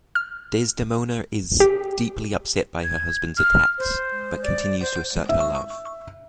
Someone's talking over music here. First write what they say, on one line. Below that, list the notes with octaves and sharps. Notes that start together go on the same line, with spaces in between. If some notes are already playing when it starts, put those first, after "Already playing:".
Desdemona is deeply upset by her husband's attacks but continues to assert her love.
F6
G4
G#6
F6
C5
D5
C5
E5